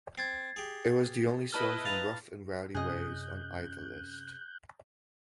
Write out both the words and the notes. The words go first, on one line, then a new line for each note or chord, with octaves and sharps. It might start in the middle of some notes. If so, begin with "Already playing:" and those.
It was the only song from "Rough and Rowdy Ways" on either list.
C4 G#6 A6 C7
G4 G#4
E4 B4 D#5 A5 F6 G7
F5 A5 A#5 A6
F#2 C3 C#4 G#4 D#5 D#6 F#6 G6